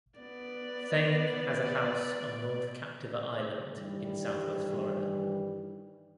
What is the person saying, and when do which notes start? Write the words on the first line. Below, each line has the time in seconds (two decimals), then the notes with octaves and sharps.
Thain has a house on North Captiva Island in south west Florida.
0.20 B3 D5
3.77 G2 D#3 E3 G3